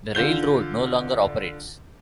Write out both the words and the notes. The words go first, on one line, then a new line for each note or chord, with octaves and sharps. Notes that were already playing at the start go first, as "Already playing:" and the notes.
The railroad no longer operates.
D3 F4 G6 G7